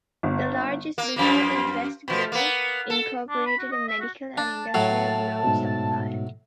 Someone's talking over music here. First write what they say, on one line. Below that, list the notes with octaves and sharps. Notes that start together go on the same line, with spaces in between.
The largest business is Best Glove, Incorporated a medical and industrial glove supplier.
G1
A#3
F#2 F3 A#3
B2 F3
A#3 B3
A4
D4
B5
F#4
D#5
E5
F#4
D4 A5
A2 F#3 C7
G#2 B2